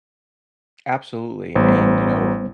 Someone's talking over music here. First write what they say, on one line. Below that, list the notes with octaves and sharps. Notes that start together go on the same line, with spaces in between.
Absolutely, and, you know,
A1 G3 B3 C5